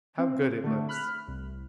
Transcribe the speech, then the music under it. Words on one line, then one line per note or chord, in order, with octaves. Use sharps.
How good it looks!
C4
D3 A3
B5 F6 F#6
C2